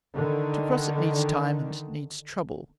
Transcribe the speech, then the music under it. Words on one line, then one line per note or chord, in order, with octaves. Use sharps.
To cross it needs time and needs trouble.
D3 D#3